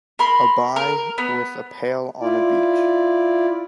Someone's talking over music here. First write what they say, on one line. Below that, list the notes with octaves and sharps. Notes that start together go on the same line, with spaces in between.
A buy with a pale on a beach.
A#4 B5 C6
A#4
B3
E4 F4 D5